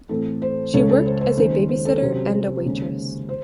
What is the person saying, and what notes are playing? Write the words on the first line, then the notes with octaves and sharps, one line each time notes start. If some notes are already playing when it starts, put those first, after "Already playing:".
She worked as a babysitter and a waitress.
A2 E3 C4 A4
C5
C#2 C#3 G#3 C#4 A4 C#5
A4
C5
C5
D#2 D#3 G#3 C#4 C5
C5
C5
A4
C3 F#3 C#4 C5
D#2 C#3 G#3 C#4
C5